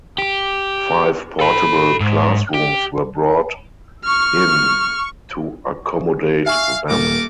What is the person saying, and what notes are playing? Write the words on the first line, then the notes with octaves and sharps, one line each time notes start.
Five portable classrooms were brought in to accommodate them.
G4
A4 B5
G#2
G4
C#6 F6
E5 F5 G#5 C#6
D#1 A3 A#3 A#4 D6